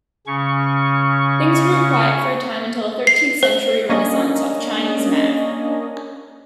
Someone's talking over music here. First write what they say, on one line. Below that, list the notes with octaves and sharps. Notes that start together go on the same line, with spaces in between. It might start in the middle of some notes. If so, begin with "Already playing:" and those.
Things grew quiet for a time until the thirteenth century Renaissance of Chinese math.
C#3 C#4 C#6
C7
C5
A#3 C#4 D4 D#5